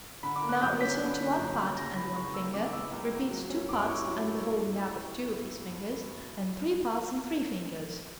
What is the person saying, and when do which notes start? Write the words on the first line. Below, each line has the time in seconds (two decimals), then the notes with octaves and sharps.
Now return to one pat and one finger, repeat two pats and the holding up of two of his fingers, and three pats and three fingers.
0.23 D3 B5
0.36 D6
0.42 A#3
0.49 F#6
0.61 F#2 G6
0.81 C#4 B6
1.00 D3
1.19 A#3
1.38 F#2
1.58 C#4
1.77 C#3 A#6
1.96 E3 B5
2.15 C#2 C#6
2.34 A#3 E6
2.53 C#3 D6
2.73 E3 E6
2.92 C#2
3.11 A#3
3.30 F#3
3.50 C#4
3.69 G2 D6
3.88 E4 C#6
4.07 F#3